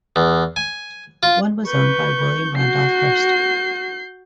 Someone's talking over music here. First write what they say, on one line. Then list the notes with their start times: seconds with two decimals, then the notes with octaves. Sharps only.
One was owned by William Randolph Hearst.
0.16 E2
0.56 G#5
1.23 F4
1.66 B4 C#6 G6
2.57 F#4 G6 C7